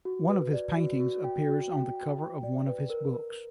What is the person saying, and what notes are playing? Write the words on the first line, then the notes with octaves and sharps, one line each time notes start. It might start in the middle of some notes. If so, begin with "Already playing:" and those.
One of his paintings appears on the cover of one of his books.
F#4
B4
D5
F#4
F#4
G5
F#4
G5
G5
G5
D5
B4
A#4
A#4